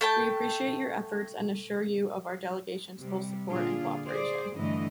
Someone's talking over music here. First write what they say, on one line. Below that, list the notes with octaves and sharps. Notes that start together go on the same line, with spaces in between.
We appreciate your efforts and assure you of our delegation's full support and cooperation.
A3 G5 A5
C3 G3
A#2 D3 D4 F4 G#4
G#4 C5 D5
G2 D3 E3 A3 D#5